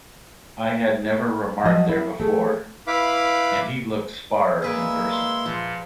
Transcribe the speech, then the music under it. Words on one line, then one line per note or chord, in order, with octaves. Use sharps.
I had never remarked there before; and he looked sparer in person.
F3 F#3 D#5
E4
A3 G#4
E4 B4 F5 B5 D6
G#3 A#3 G#4 B4 D5 E5
C6
A#2 F3